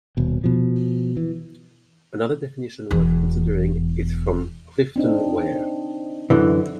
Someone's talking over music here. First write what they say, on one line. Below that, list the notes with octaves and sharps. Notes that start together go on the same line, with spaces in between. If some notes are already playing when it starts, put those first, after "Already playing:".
Another definition worth considering is from Clifton Ware.
D#1 B2
B2 F3
E3
E1 E2
C4 D4 D#4
F#2 D3 E3